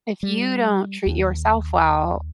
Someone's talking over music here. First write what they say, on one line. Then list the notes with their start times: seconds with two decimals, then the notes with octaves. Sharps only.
if you don't treat yourself well,
0.23 G3
1.06 D#2